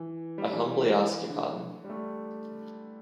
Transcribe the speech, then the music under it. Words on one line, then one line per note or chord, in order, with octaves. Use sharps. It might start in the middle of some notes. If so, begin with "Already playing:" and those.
I humbly ask your pardon.
Already playing: E3
G3
E3
D3
G3
A3